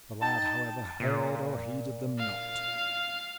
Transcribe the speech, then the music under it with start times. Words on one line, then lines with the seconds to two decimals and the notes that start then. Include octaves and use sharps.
The lad, however, heard or heeded them not.
0.21 D#4 G5 A5
1.00 A#2
2.18 F5